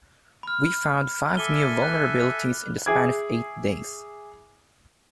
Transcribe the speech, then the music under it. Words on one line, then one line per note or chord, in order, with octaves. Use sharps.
We found five new vulnerabilities in the span of eight days.
B5 F6
A4 E5 G#5 D6 G7
F#6
E4 G#4 D6 G#6